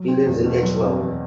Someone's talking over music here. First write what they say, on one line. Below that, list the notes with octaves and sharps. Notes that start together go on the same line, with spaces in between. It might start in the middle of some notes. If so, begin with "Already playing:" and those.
He lives in Eschweiler.
Already playing: F#3
C4
E2
B2
F#3
C4
E2